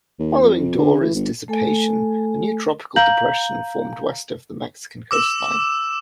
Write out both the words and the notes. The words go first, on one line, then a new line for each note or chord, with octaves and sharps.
Following Dora's dissipation, a new tropical depression formed west of the Mexican coastline.
D#2
F2
D3
E3
G1
A3 A4 G#5
F5 A#5 G6 F#7
D6 E6 E7